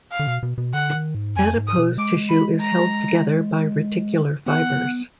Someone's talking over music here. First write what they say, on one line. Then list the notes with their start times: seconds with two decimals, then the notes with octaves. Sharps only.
Adipose tissue is held together by reticular fibers.
0.12 F5
0.19 D3
0.27 B2
0.43 B2
0.58 B2
0.74 D3 F#5
0.94 D#3
1.15 G#2
1.36 F2 G#5
1.56 G#2
1.67 D#6
1.78 B2
1.98 G#3 D6
2.29 B5
2.61 A#5
4.46 B3 F#5